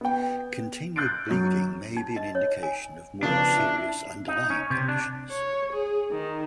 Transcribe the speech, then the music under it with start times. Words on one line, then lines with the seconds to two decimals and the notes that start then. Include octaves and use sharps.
Continued bleeding may be an indication of more serious underlying conditions.
0.01 B3 G5
0.96 F#6 G6 A6 C7 D7
1.28 F#2 F#3 C#5
1.97 D#4
2.16 D#5
2.35 C#5
2.63 G#5
3.23 C#3 F3 B3 D4
3.57 E4
4.28 D#4
4.50 C#4
4.70 C3
4.88 D4
5.31 C#5
5.73 G#4
6.11 D#3